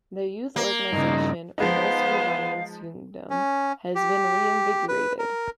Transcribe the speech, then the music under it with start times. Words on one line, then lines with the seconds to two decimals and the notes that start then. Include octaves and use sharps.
Their youth organization Retsforbundets Ungdom has been reinvigorated.
0.56 A#3
0.93 G2 C#3 D#4
1.58 F3 G#3 B3 D#4 C5 F5
3.30 C#4
3.95 G4
4.88 B4
5.19 A#4